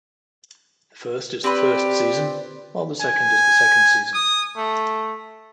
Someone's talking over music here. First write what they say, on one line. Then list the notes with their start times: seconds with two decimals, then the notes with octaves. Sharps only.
The first is the first season, while the second is the second season.
1.44 C4 G4 B4 D5
3.01 G#5
4.13 D#6
4.57 A3